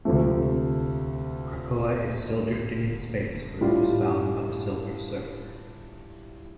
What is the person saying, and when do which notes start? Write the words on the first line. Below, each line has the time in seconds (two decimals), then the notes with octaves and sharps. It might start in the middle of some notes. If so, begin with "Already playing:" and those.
Krakoa is still drifting in space where it was found by the Silver Surfer.
0.05 D2 C3 F3 A3
3.61 A2 G3 D4 F4